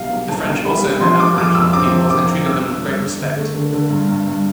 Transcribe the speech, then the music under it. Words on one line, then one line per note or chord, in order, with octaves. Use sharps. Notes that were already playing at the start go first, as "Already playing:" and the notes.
The French also met Aboriginal peoples and treated them with great respect.
Already playing: B1 B2 G3 F5
B1
B1 A5
B1
G3 B5
G3
F3 C6
F3 D6
F2 D6
F2 E6
C4 D6
F3
F2 D6
C4
G1 E6
G1
G2
G2
D3
A3
D3
D3
G2
G2
G2